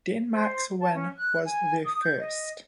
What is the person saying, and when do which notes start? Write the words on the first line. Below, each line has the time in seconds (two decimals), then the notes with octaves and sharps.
Denmark's win was their first.
0.33 C5
0.80 A5
0.93 C#4
1.17 F#6
1.45 G#5
1.86 D#6
2.02 G6
2.19 D#5